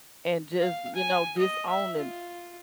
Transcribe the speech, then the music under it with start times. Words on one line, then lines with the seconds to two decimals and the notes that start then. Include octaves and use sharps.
and just, you know, disowning
0.61 F5
0.95 G#5
1.38 D#5
1.68 E5
1.99 F4